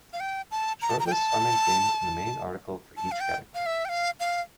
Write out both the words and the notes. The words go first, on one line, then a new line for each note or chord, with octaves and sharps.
Shortlists are maintained in the main article for each category.
F5
G5
A5
A#5
A5
A#5
G5
A5
A5
F5
G5
F5
E5
G5
F5
F5